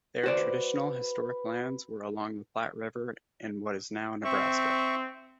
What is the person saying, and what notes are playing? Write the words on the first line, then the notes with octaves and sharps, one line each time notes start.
Their traditional historic lands were along the Platte River in what is now Nebraska.
F#4 B4 C5 D5
C4 E5 C#6